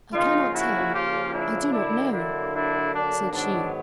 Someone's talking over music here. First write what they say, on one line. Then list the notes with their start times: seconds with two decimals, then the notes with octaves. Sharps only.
"I cannot tell; I do not know," said she.
0.13 C#3 F3 A#3 C#4 D#4 F4
0.52 E4 F#4
0.93 F4 G4
1.32 D4 E4
1.72 D3 F#3 A#3 D4 E4
2.12 D4 E4
2.53 D4 E4
2.93 D4
3.32 G#2 D#3 F#3 B3 D4